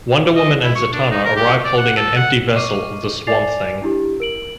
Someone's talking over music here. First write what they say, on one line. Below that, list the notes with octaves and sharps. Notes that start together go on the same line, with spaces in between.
Wonder Woman and Zatanna arrive holding an empty vessel of the Swamp Thing.
D#5
E4
C#6
D4
D#4
A#4
G4
D5
F#5
A4
F#5
D#5 C#6 D6 F6 C7 D#7
D5 G#5 D6 A6 C7 F7
D4 E4 G4
A#4 D7 F#7